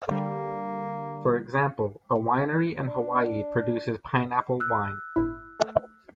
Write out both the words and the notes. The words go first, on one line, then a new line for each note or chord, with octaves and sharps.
For example, a winery in Hawaii produces pineapple wine.
D3 G3 A#3
D4
E6 F#6
G1 A2 E4
A3